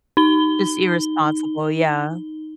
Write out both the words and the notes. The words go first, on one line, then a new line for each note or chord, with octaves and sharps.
Just irresponsible, yeah.
D#4 G7